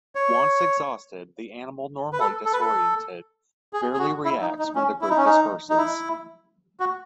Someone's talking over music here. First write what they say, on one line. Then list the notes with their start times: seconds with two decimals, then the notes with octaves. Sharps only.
Once exhausted, the animal, normally disoriented, barely reacts when the group disperses.
0.15 C#5
2.13 B4
2.20 A4
2.45 A4
2.53 B4
2.61 A4
3.73 G#4
3.93 G#4
3.99 F#4
4.25 E4
4.41 D#4
4.59 D#4
4.75 C#4
5.01 E4
5.10 D#4
5.17 C#4
5.24 D#4
5.70 D#4
5.78 E4
6.80 F#4